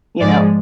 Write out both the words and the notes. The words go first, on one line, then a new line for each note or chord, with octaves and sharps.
You know?
G#2 F3 G#3 D5